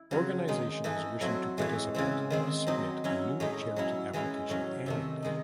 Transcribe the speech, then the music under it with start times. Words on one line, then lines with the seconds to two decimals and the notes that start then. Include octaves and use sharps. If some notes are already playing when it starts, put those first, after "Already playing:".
Organizations wishing to participate must submit a new charity application annually.
Already playing: E4
0.11 C#3 F#3 C4
0.48 D#3 G#3 D#4
0.84 E3 A3 D#4
1.21 F#3 A3 C4 E4
1.58 A2 E3 G#3
1.95 C#3 E3 C4
2.30 D#3 G#3 C4
2.67 F#3 C4 D#4
3.04 F#3 C#4 E4
3.40 A2 G#3 D#4
3.76 F#3 C#4 E4
4.13 E3 G#3 C#4 E4
4.49 A2 F#3 C#4
4.86 C3 D#3 A3
5.22 D#3 G#3 D#4